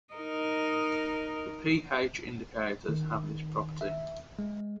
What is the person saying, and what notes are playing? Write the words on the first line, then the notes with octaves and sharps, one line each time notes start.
The pH indicators have this property.
D#4 A#4 D#5
D#3
E5
G#3